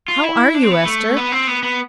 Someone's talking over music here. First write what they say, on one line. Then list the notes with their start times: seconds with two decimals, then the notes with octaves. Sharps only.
"How are you, Ester?"
0.08 F4
0.24 E4
0.55 D4
0.63 C4
0.71 B3
0.85 A3
1.17 B3
1.32 C4
1.47 B3
1.63 B3